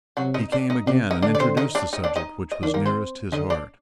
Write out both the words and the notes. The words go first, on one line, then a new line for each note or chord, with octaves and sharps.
He came again, and introduced the subject which was nearest his heart.
C3 F#3 F#4
D#4 D#5
D4 D5
D#4 D#5
C3 D4 D5
D#4 D#5
D3 D4 D5
D5
C4 C5
D#4 D#5
D4 D5
D#4 D#5
D4 D5
D#4 D#5
D#5
D#3 D4 D5
A#3 A#4
C4 C5
D3 D#4 D#5
D4 D5